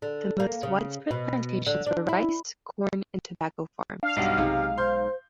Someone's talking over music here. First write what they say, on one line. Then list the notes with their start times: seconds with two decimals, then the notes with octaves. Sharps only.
The most widespread plantations were rice, corn and tobacco farms.
0.02 D3
0.40 A#3
0.63 C#3
1.11 B2
1.67 D3
1.86 D4
2.09 E4
4.03 D4 F5
4.16 B1 G2 F#5
4.37 B1 C3 G#3 D#4
4.78 C5 C6 G6